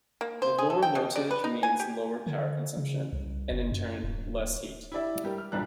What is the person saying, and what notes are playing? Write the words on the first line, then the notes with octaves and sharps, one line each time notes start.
The lower voltage means lower power consumption, and in turn less heat.
A#3
C5
G#4
A4
G5
B2
D5
B4
D#4
G#5
G4
D3
C#3
C2
F#1
F#2
D1
E4 G4 D5 E5
G3 G4 A#4
F6
B1 G2 A#2 G3 A#5 F#6